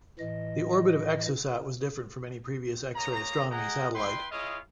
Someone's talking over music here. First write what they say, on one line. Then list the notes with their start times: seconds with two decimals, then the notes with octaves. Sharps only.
The orbit of Exosat was different from any previous X-ray astronomy satellite.
0.19 A2 E3 D#5
2.95 A#3 G#4 C#5 A#5
3.51 G#4 D#5 F#5 G5 A#5
3.95 E4 B4 G5 C6
4.30 E4 F4 G#4 C#5 D#5 F5